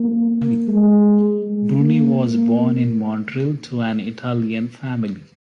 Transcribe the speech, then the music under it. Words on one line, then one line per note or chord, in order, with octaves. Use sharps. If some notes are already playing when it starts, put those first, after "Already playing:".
Bruni was born in Montreal to an Italian family.
Already playing: A#3
G#3
G#3
A#3